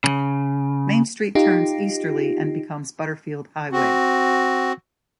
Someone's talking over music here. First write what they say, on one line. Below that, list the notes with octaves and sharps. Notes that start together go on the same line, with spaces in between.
Main Street turns easterly and becomes Butterfield Highway.
C#3
D#4 F4 G4
C4 F#4